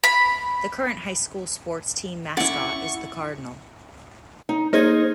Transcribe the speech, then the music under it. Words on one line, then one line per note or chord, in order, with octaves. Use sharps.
The current high school sports team mascot is the cardinal.
B5
C#4 E4 D5 F#5 C#6
D#4
A#3 D#4 G#4 C5 D#5 G#6